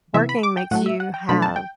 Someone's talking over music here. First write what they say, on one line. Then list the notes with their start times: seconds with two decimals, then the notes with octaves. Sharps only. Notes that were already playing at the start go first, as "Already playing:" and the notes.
working makes you have
0.14 C3 E3 B3 E5
0.29 B5
0.43 D6
0.57 G5
0.71 A2 F#3 A3 F#5
0.86 E5
1.00 F#5
1.14 G5
1.29 B2 F#3 A3 D4 B5
1.42 A5
1.56 G5